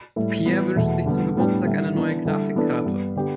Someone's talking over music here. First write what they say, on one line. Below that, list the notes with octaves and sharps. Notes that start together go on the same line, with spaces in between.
Peer wünscht sich zum Geburtstag eine neue Grafikkarte.
A2 G3 E4 A4
E3 G3 B3
E2 B2 A3 E4
D3 G3 B3
A2 G3 B3 D4 G4
D3 G3 E4
E3 B3 D4
D3 G3 E4 A4
E3 B3 D4 A4
G2 G3 B3
D3 B3 G4